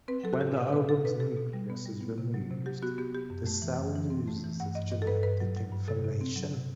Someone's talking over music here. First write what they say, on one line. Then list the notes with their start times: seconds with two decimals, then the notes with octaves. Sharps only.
When the ovum's nucleus is removed, the cell loses its genetic information.
0.08 C4 B4
0.24 F#3 A4
0.33 F#4
0.40 A2 G4
0.56 A2 B4
0.73 B2 B4
0.89 B2 A4
1.05 B2 B4
1.20 B2 A4
1.37 B2
1.53 G3
1.70 B3
1.86 G3
2.01 B3
2.18 C3
2.34 F#3
2.50 C3
2.66 F#3 G4
2.82 B3 F#4
2.98 B3 G4
3.15 B3 G4
3.30 F#2
3.47 A3
3.62 E3
3.79 F#2
3.95 E3
4.10 C4
4.28 A3
4.44 E3
4.60 G2 F#5
4.75 G2 D#5
4.91 G2 D#5
5.02 A4
5.07 G2 B4
5.23 G2 B4
5.40 F#3
5.56 F#3
5.72 G2
5.88 C3 A4
6.05 C3
6.21 C4
6.36 F#3
6.53 C3